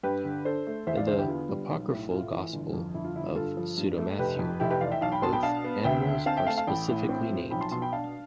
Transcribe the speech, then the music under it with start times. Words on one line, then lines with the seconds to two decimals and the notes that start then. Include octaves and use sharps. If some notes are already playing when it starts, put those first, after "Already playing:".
In the apocryphal Gospel of Pseudo-Matthew, both animals are specifically named.
0.03 G2 G4 B4
0.25 D3
0.45 D4 A4 C5
0.67 A3
0.87 E2 C5 E5
0.97 D5 F5
1.07 D3 C5 E5
1.18 E4 G4
1.28 B3 F4
1.49 G3
1.71 B1
1.90 A2
2.11 A3 F4
2.32 E3
2.54 G1
2.73 F2
2.94 G1 E4
3.04 F4
3.15 D3 E4
3.25 F4
3.35 G2 F4 A4
3.57 F3
3.78 G2
3.98 A3
4.19 F1 G4 B4
4.39 F2
4.60 F1 E4 G4
4.71 G4 B4
4.81 E3 D5 F5
4.91 E5 G5
5.01 B1 F5 A5
5.12 G5 B5
5.22 B2 A5 C6
5.33 G5 B5
5.43 D4 F5 A5
5.64 B3
5.84 D2 E5 G5
6.06 D3
6.26 C4 F5 A5
6.37 E5 G5
6.46 A3 F5 A5
6.57 F5 A5
6.67 A1 G5 B5
6.88 A2
7.09 C4
7.30 F3
7.51 B1 G5 B5
7.61 A5 C6
7.71 B2 A5 C6
7.82 G5 B5
7.93 D4 F5 A5